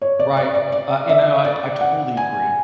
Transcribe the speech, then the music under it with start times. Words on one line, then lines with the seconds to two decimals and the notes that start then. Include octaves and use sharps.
Right. Uh, you know, I I totally agree.
0.02 C#5
0.19 D5
0.37 D5
0.55 D5
0.72 D5
1.09 E5
1.44 D5
1.81 F#5
2.17 G#5